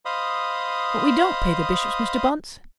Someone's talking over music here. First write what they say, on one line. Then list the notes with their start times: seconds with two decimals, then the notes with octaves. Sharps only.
"But we don't pay the bishops, Mr. Bunce."
0.05 C5 D#5 F5 B5 D#6